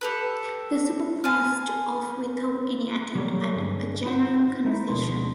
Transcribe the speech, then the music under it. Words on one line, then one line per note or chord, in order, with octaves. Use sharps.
The supper passed off without any attempt at a general conversation.
G4 A4 B4
F5 G#5 A5 F6
F#3 G3 A3 A#3 C#4
G2 D3 G#4
D#4 F4 C5 F#5
G#3 D#4 E4
D2 B2 D3 F3 G#3 C6